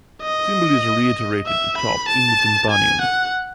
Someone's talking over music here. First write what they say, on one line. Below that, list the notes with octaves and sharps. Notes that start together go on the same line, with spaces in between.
The symbol is reiterated atop in the tympanum.
D#5
E5
B5
A5
G#5
F#5